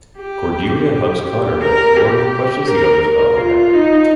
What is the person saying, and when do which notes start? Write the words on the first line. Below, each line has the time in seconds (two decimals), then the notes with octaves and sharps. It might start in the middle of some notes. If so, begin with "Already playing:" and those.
Cordelia hugs Connor while Lorne questions the others about what happened.
0.19 G4
0.90 G4
1.25 G4
1.61 A#4
1.96 G4
2.67 A#4
3.02 A#4
3.37 F4
3.74 D#4